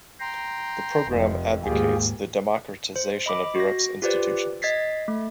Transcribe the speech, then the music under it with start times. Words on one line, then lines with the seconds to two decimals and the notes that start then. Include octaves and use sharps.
The program advocates the democratisation of Europe's institutions.
0.20 G5 A#5 C6
1.06 F1 F2
1.64 D#2 G#2 F4 G4 G#4
2.96 C5
3.26 D#5 B5 D6
3.55 F#4 A#6
4.02 F4 G4 B4 C5 D5
4.62 D#5 G#6 A6 B6 C7
5.08 A3